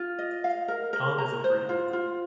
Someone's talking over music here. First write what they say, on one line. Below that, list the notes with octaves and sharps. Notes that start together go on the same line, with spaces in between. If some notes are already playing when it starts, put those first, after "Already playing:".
Tom isn't grieving.
Already playing: F4
D#5
F5
A#4
A#4
A#5
C5
F4
F4